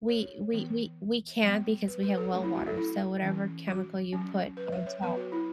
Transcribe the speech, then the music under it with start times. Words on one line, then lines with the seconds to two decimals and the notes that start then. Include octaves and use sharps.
We we we we can't because we have well water, so whatever chemical you put on top
0.09 C#5
0.53 E3 B3
1.43 F#3 B3
1.88 B4
2.03 B4
2.17 A4
2.33 F#3 A3 C#4 F#4
2.44 E4
2.55 F#4
2.67 A4
2.77 E4
3.22 E3 C#4
3.68 F#4
4.13 F#3 C#4
4.57 B4
4.72 E5
4.87 C#5
5.02 F#3 B3 B4
5.17 F#4
5.32 E4